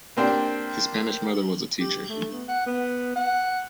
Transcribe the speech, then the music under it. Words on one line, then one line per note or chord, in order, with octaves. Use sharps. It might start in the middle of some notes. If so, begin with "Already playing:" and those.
His Spanish mother was a teacher.
A#3 C4 D4 G4
G4
A3
B3
F#5
B3
F#5